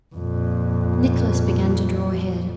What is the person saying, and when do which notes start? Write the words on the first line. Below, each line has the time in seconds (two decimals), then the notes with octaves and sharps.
Nicholas began to draw ahead.
0.15 F2 A#2